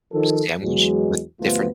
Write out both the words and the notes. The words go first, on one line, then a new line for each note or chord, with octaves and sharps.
s sandwich with different
D#3 F3 A4
E2 F#3 G#3
D2 G2 F3 A3 B3 F4